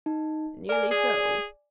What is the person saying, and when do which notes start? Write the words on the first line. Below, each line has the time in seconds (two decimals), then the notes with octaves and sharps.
"Nearly so."
0.06 D#4
0.69 A#4 D5 G#5
0.91 G#4